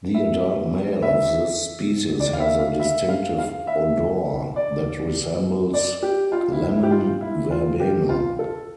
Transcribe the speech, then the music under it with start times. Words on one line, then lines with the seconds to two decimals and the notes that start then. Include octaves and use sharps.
The adult male of this species has a distinctive odour that resembles lemon verbena.
0.14 E5
1.02 E5
2.20 D5
2.33 F5
2.40 E5
2.59 F5
2.80 E5
3.09 F5
3.38 F5
3.67 E5
4.56 D5
5.74 D5
6.03 G4
6.32 F4
6.52 E4
6.71 E4
6.83 G4
6.91 F4
7.21 E4
7.51 F4
7.80 G4
8.09 F4
8.39 A4